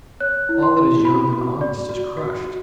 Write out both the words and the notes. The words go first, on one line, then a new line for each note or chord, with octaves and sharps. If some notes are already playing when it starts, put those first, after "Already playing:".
All that is young and honest is crushed!
C#5 F#6
E4
C6
E4
F#4 B5
F#4
D5
F#4
F#4
F#4